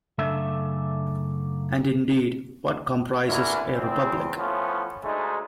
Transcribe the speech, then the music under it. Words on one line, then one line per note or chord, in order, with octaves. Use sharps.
And indeed, what comprises a Republic?
F#2 C#3 A3 D4 A4 E5
D3 E3 C#4 E4 A#4
E2 C4
A2 F3 A3 B3 C#4
D2 G#3 A3 D#4